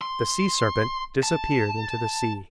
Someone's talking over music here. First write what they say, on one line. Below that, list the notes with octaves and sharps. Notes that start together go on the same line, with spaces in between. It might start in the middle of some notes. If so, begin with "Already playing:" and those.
The sea serpent disappeared into the sea.
C6
A5